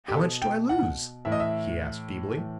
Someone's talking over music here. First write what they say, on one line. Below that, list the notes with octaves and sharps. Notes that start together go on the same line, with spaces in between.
'How much do I lose?' he asked feebly.
G4
B2 A4
G5
F#5
A2 E3 E5
D#5
E5
A2 E3